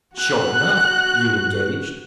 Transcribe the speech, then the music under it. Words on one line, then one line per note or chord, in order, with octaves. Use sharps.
"Sure enough, you engaged?"
F#4 F#6